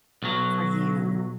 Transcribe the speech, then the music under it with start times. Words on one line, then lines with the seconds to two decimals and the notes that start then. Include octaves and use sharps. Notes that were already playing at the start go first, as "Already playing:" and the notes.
for you.
0.22 B1 F#3